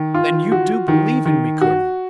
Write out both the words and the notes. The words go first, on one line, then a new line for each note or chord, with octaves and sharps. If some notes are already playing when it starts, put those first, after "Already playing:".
"Then you do believe in me, Colonel?"
Already playing: D#3
F4
F#4
D#3
D#3
F#4